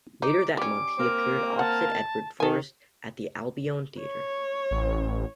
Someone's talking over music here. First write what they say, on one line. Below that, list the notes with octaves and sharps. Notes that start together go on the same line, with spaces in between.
Later that month, he appeared opposite Edwin Forrest at the Albion Theatre.
D#4 D6
G3 C#4 D6
A#3 C4 A#4
F#5 A5
D#3 A4 G#5
C#5
A1